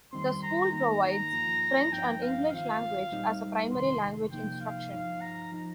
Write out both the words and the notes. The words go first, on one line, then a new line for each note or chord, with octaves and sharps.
The school provides French and English language as a primary language instruction.
F2 D#3 G3 C4 C6
A#5
D#3 A#3 D#4 A#5
A#5
G2 F3 A#3 F4
G2 F3 C4 D#4 G5
F5
D#3 C4 F4 F5
A#2 G3 C4 D#4
F2 C3 D#3 C6
C3 F3 A#3 D#4 G5
F5
G2 F3 D#4 F5
A#5
F3 D#4